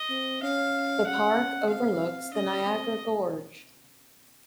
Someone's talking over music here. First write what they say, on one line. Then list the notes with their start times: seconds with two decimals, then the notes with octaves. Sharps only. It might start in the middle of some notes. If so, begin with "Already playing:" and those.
The park overlooks the Niagara Gorge.
Already playing: D#5
0.10 C4
0.43 C#4 F5
1.06 C#4 F#5
1.70 C4 F5
2.03 C4
2.34 C#4 D#5
2.66 C4